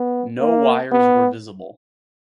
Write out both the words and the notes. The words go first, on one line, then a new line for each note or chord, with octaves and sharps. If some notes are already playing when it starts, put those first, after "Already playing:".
No wires were visible.
Already playing: B3
A#3
B3